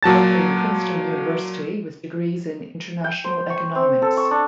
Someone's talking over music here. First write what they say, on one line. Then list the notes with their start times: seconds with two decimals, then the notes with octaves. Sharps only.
Berkeley and Princeton University with degrees in international economics.
0.03 A#2 F#3 A5 A6
3.04 G5
3.24 C5
3.50 C#6
3.75 C4
4.02 A4
4.17 C#6
4.31 D4